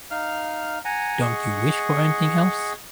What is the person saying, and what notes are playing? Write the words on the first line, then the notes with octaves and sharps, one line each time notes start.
Don't you wish for anything else?
D#4 F5 F6
F#5 G#5 A#5
G#4 D#5 F#5 C#6